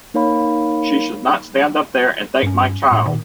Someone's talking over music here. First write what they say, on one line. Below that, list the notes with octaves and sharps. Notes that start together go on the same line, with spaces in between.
She should not stand up there and thank my child.
A#3 D#4 A#4 C#5 F5 B5
G2 C#4
A1 A2
A#2 D#3